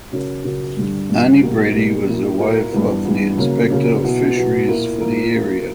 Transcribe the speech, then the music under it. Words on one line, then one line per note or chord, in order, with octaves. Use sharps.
Annie Brady was the wife of the Inspector of Fisheries for the area.
C#3 F#3 C#4 F#4 A#4
C#3 F#3 C#4 F#4 A#4
G2 D3 G3
G2 D3 G3
B2 G3 A#3
B2 G3 A#3
A#2 F#3 A#3 E4
A#2 F#3 A#3 E4
G2 E3 B3
G2 E3 B3
C#3 F#3 A#3 C#4
C#3 F#3 A#3 C#4
B2 F#3 B3 E4
B2 F#3 B3 E4
A#2 A#3 E4 A#4
A#2 A#3 E4 A#4
F#3 A#3 E4